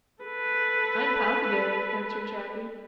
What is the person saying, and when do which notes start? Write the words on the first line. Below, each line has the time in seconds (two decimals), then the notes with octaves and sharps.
"I'm positive," answered Shaggy.
0.23 A4 B4